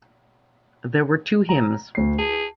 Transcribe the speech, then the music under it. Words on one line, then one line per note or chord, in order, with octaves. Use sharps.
There were two hymns.
A#5
D2 C7
G#4 A5